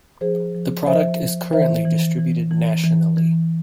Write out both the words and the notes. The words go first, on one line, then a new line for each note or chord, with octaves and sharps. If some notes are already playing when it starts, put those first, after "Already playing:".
The product is currently distributed nationally.
F3 G#4 C5
F3
F3 C5 E5
F3
E3 C5 E5
E3
E3
E3
E3
E3